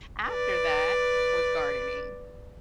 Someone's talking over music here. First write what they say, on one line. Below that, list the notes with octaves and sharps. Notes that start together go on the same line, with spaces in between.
after that was gardening,
B4 D5